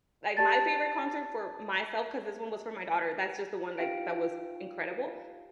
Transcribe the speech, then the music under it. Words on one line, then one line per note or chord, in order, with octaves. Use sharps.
like, my favorite concert for myself 'cause this one was for my daughter, that's just the one, like, that was incredible,
G4 D5 A5 A6
D#4 F4 G4 F5 G5 D7